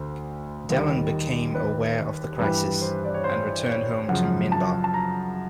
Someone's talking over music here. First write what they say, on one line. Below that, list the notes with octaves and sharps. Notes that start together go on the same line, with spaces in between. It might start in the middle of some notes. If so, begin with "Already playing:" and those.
Delenn became aware of the crisis, and returned home to Minbar.
Already playing: D2 D3 C5
D#2 D#3 G3
B4
G2 E3 G3 B4
C5
D5
C#5
C5
C#5
F#2 C#3 F3 F#5
A5
A5
A#5